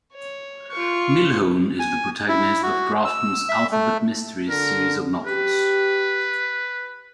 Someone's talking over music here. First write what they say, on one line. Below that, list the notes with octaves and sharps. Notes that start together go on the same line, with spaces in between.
Millhone is the protagonist of Grafton's "alphabet mysteries" series of novels.
C#5
F4 C#6
G#5
E4
F#4
E6
E5
A3
D3 A#4
G4 B4